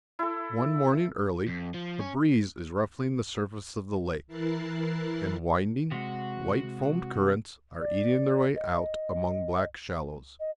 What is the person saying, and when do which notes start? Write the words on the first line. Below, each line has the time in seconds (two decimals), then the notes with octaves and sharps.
One morning early, a breeze is ruffling the surface of the lake, and winding, white-foamed currents are eating their way out among black shallows.
0.19 E4 A4
1.48 F2
1.74 F3
2.00 C#4
4.27 E3 E4 A#4 F#6 A6 C7
5.92 C3 G#3 F#4
7.80 D5
8.55 D#5
10.40 D#5